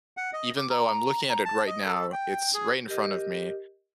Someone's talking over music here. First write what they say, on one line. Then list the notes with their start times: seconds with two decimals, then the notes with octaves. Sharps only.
even though I'm looking at it right now, it's right in front of me.
0.17 F#5
0.33 D#5
0.57 D6
0.71 A#5
1.30 A#5
1.45 A5
1.67 D#5
1.85 A4
2.13 G5
2.54 G#4
2.88 G4 A#4 D#5